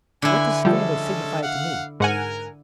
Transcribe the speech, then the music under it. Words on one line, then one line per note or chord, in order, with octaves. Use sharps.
What does scandal signify to me?
D3 E4 B4 G#5
F3 G3 G#3 C#4 A4
F5 F#5
G#2 A#4 F#5 G#5